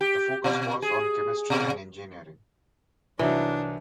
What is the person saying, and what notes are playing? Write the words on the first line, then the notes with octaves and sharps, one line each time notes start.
The focus was on chemistry and engineering.
G4
B2
G#4
B2
C2 E3 F#3 D4 D#4